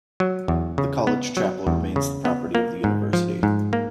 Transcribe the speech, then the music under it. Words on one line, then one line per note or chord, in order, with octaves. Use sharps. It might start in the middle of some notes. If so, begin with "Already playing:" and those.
The college chapel remains the property of the university.
F#3
E2
C#3
B3
F#3
E2
C#3
B3
A#3
G#2
F3
G#2
A#3